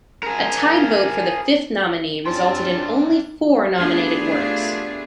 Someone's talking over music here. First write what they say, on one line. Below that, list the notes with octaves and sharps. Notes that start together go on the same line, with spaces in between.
A tied vote for the fifth nominee resulted in only four nominated works.
G#4 A#4
C#3 C4 D4 F4 G5 A5 C6
A3 B3 D4 F4 G4 G#4